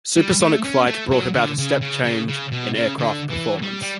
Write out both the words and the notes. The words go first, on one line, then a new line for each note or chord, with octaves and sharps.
Supersonic flight brought about a step change in aircraft performance.
G3
A3
C#4
A3
F#3
D3
C#3
C#3
C#3
C#3
B2
C#3
D3
E3
G3
G3